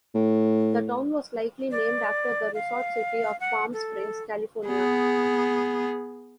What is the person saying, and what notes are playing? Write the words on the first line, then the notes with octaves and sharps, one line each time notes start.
The town was likely named after the resort city of Palm Springs, California.
A2
D5
F5
F#5
A4
B3 G#4